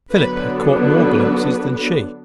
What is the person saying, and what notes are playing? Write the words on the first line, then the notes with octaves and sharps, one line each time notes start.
Philip had caught more glimpses than she.
D3 F#3 B3 D4 B4
B4